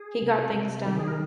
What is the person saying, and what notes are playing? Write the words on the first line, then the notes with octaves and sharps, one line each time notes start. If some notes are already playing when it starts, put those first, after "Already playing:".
He got things done.
Already playing: G#4
C3
C3
D#3 G4
G#4
A#4